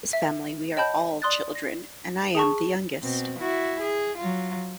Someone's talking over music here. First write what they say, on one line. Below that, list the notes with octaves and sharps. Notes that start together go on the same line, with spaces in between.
In this family we are all children, and I am the youngest.
E5
C#5 D#5 G5 A5 B5 G6
D5 C6 D#6 F#6 A6
A#6
G#4 A5 C#6
B2 C4
E4 F#4
G#4
F#3 F4